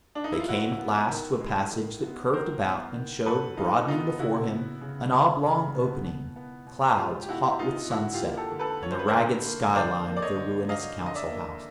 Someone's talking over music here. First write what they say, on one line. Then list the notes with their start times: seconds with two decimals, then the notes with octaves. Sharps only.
They came at last to a passage that curved about, and showed broadening before him an oblong opening, clouds hot with sunset, and the ragged skyline of the ruinous Council House.
0.15 D4
0.24 D#4
0.32 E4
0.40 F4
0.48 D#3 E4 F#4
0.79 B3
1.10 D#3
1.41 G#3
1.71 D#3
2.03 B3
2.33 D#3 A#4 C5
2.64 B3
2.95 D#3
3.26 F#3 A4 B4
3.57 D#3 D#4 F4
3.88 B3 D#4 F4
4.19 C#3 E4 F#4
4.51 B3
4.81 C#3
5.12 F#3
5.44 C#3
5.74 B3
6.05 B2
6.36 B3
6.66 B2
6.97 G#3 F4 G4
7.23 G4
7.28 B2 E4 F#4
7.59 B3 D#4 F4
7.90 D3 E4 F#4
8.14 F4 G4
8.21 A#3
8.36 G4 A4
8.52 D3
8.59 A4 B4
8.83 F3 C#5
8.91 C5
8.99 B4
9.08 A#4 C5
9.15 D3
9.46 A#3
9.75 D3 C5 D5
10.07 A#3
10.17 D5
10.22 C#5 D#5
10.37 D3
10.68 F#3 D#5 F5
11.00 D3
11.06 D#5
11.15 D5 E5
11.31 A#3